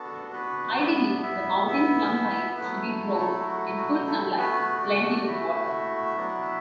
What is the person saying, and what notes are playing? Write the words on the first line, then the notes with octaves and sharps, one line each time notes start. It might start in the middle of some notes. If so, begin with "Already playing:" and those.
Ideally the mountain plum-pine should be grown in full sunlight with plenty of water.
Already playing: B3 D4 F#4 A4 A5
B3 B4
B3 D4 E4 D5
E4 E5
E4 E5
F#3 A3 B3 E4 B4
A4
F#4
A4
F#4
F#4
A4
A3 B3 F#4 B4
D4 D5
E4 E5
F#3 B3 D4 F#4